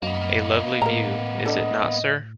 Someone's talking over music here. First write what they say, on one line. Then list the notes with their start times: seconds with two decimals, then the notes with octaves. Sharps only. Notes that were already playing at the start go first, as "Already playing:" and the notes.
A lovely view, is it not, sir?
0.02 F#2 A#3 B3 D#5
0.82 A2 A#4 A#5
1.46 D4 A4 D#5